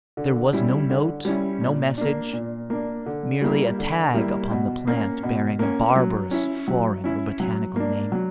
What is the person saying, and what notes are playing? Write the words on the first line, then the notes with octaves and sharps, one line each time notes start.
There was no note, no message, merely a tag upon the plant bearing a barbarous foreign or botanical name.
D3
G3 C#4 E4
D3
G3 C#4 E4
A#2
A#3 D4
A#2
A#3 D4
D3
G3 A#3 E4
D3
G3 A#3 E4
B2
A#3 C#4
B2
A#3 C#4
F#3
C#4 E4
F#3
C#4 E4
F#3
A#3 D4
F#3